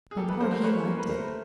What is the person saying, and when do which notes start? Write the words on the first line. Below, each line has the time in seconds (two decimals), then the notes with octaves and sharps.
Bompard, he liked it.
0.11 G#4
0.17 A#3 G4 A4
0.29 A4 B4
0.40 C#4 A#4 C5
0.52 A#4 C5
0.63 A#3 B4 C#5
0.86 C#4 A#4
0.98 B4
1.09 A3 A#4 C5